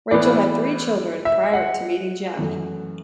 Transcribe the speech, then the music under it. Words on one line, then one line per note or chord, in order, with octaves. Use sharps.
Rachel had three children prior to meeting Jeff.
A2 E3 B3 D5
E5
F#5
F#2 E3 A3